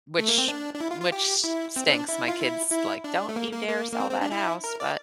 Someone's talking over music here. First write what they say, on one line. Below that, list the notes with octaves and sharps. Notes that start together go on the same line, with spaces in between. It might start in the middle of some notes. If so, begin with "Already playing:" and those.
which which stinks. My kid's like, "Don't you dare sell that house," but,
A3
A#3
C4
D4
D4
E4
F4
F4
G4
E4
C4
C4
D4
E4
F4
E4
E4
D4
A3
A#3
A#3
A#3
A#3
C4
C4
D4
E4
A#4
D5